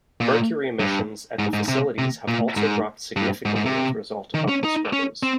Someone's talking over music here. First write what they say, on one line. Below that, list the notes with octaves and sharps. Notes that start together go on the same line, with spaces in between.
Mercury emissions at the facilities have also dropped significantly as result of the scrubbers.
A#2
G2
G#2
G#2
C3
C3
A#2
G#2
G2
G#2
G#2
C3
D#3
C#4
D#4
C#4
C4